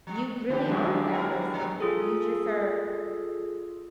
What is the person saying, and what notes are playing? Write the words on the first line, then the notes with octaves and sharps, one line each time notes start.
you really aren't that person. You just are
F3
D3 F3 G4
F#3 G#3 D4
B3 E4 A#4
F3
F4 G#4 A4